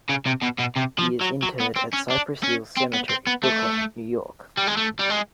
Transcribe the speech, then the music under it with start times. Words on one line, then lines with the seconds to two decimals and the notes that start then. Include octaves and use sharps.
He is interred at Cypress Hills Cemetery, Brooklyn, New York.
0.09 C#3
0.26 C3
0.43 B2
0.59 B2
0.76 C3
0.99 F3
1.21 F#3
1.43 F#3
1.60 B3
1.76 C4
1.93 C#4
2.10 D4
2.44 C#4
2.77 C4
2.94 B3
3.09 C4
3.27 B3
3.43 A3
4.58 G3
4.67 G#3
4.77 A3
4.99 G3
5.10 G#3